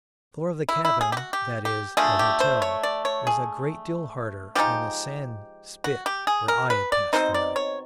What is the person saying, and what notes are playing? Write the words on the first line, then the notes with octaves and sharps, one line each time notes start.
The floor of the cabin--that is, the hotel--was a great deal harder than the sand spit where I had passed the night.
E4
E4
G#4
G4
F#4
G4
G4
D3 F3 A3 G#4
G4
C5
C#5
D5
C#5
G#4
F3 G#3 B3 D#4 G4
F#4
G4
G#4
A#4
B4
D5
B2 G#3 C4 D#4 C5
D5
C#5